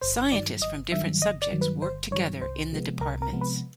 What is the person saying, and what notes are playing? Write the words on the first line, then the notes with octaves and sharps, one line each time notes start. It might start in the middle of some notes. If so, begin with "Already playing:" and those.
Scientists from different subjects work together in the departments.
G1 C5
G2 D#3 F#3 D5
G1 D#5
G2 D#3 F#3 E5
G1 D#5
D5
G2 D#3 F#3
B4
G1 C5
G2 D#3 F#3 C#5
C2 C5
C3 F3 G#3 B3
C2 A#4
A#4
C3 F3 G#3 B3
B4